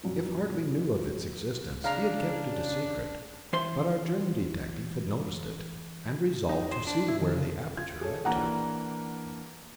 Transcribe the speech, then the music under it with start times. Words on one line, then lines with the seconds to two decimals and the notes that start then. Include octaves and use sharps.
If Hartly knew of its existence, he had kept it a secret, but our German detective had noticed it, and resolved to see where the aperture led to.
0.04 A#1 F#2
1.84 C#3 D4 F5 A#5
3.53 E3 C5 C6
6.49 D#4
6.72 C5
6.87 D4
7.08 E4
7.21 D#3
7.36 C#3
7.77 F4 G#6
8.01 G#4 A4 C#5
8.25 E3 A#3 D4 F#5 A#5